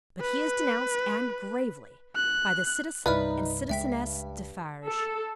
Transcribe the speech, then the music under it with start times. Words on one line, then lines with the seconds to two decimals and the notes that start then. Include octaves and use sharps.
But he is denounced--and gravely--by the Citizen and Citizeness Defarge.
0.21 B4
2.16 F#6
3.06 C2 G2 D#4 B4 D5 E5 F6
3.69 C#2 G2 G#3 E5 G5 B6
4.87 A4